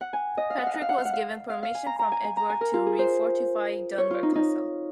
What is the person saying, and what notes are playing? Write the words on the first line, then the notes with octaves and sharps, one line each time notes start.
Patrick was given permission from Edward to refortify Dunbar Castle.
F#5
G#5
D#5
F5
F#5
F5
F#5
F5
F#5
F5
F#5
F5
F5
F5
G#5
A#5
A#5
G#5
G#5
A#5
G#5
A#4
F4
G#4
C5
C#5
F4
D#4
D#4